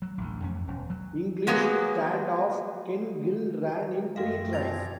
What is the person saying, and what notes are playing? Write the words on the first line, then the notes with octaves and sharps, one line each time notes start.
English stand-off Ken Gill ran in three tries.
F#3
A1 D2
F2 C#4
E1
F#3
F#3 G#3 A#3 B3
F#2 D#3 G#3 A3 F#4 F5 G5 A#6
B2 D3 E3 F3 C4 G#6 A6 F7